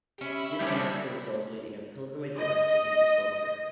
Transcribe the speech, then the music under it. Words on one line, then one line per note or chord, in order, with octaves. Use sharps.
This miracle resulted in a pilgrimage rush to see the sculpture.
C#4 G4 E5 B5
D#3 G3 C#4 D4 C5
D#5